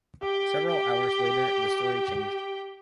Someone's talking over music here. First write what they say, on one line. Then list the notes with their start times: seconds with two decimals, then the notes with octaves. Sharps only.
Several hours later the story changed.
0.22 G4 G5